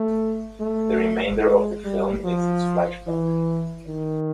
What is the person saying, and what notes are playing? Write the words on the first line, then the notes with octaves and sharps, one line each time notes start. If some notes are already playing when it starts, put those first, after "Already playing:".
The remainder of the film is his flashback.
Already playing: A3
A3
G#3
G3
F3
E3
D#3